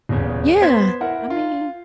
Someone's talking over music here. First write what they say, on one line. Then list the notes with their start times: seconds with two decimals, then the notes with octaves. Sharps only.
yeah, I mean
0.09 D#1 E2 C#3
0.61 B3 C5 G#6 B6
1.01 E4 A#4 F#5
1.30 F4